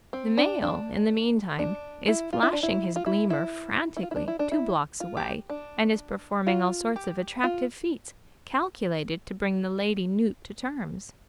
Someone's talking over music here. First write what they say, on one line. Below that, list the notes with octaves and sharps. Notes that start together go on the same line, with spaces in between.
The male, in the meantime, is flashing his gleamer frantically two blocks away and is performing all sorts of attractive feats, calculated to bring the lady newt to terms.
C4
D4
D4
D4
E4
F4
E4
D4
E4
F4
E4
E4
E4
F4
E4
D4
E4
D4
E4
F4
G4
D4
F4
G4
F4